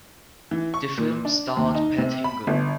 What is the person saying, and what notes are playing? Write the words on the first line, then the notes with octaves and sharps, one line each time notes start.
The film starred Pat Hingle.
E3
C#6
A#2
D4
D#2
D#4
C3
B5
G1